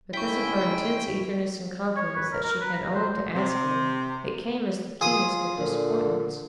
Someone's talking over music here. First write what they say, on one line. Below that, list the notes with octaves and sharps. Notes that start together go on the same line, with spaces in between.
Because of her intense eagerness and confidence that she had only to ask him, it came as the keenest of disappointments.
G#2 C#3 G#3 E4 G5 C#6 B6
C#5
B4
A#4
A#4
B4
A#5
C5
C3
F4 G#4 D#6
A#2 D3